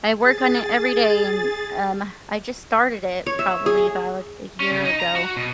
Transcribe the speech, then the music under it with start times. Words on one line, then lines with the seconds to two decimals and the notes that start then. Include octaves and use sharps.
I work on it every day, and, um, I just started it, probably about a year ago,
0.15 G#4 A6
3.26 C#5
3.39 E5
3.66 G#4
4.60 C#4
4.72 C#3
4.85 D#4
5.00 A#5
5.15 F#4
5.37 B2